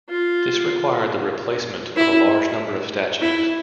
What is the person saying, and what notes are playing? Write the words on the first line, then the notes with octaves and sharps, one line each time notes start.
This required the replacement of a large number of statues.
F4
E4
E4